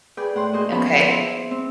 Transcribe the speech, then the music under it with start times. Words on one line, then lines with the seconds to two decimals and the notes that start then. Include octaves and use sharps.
Y Okay.
0.17 G#4 B4 D5 G5 G6
0.35 A2 F#5 G5 C6
0.53 A#3 F#4 G#4 D#5 C6 G6
0.71 F3 B3 C#4 B5 C6
1.10 E4 C5
1.51 C4